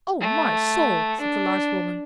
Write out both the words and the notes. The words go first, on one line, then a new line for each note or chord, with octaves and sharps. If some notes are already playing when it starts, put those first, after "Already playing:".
"O my soul!" said the large woman.
A3
D4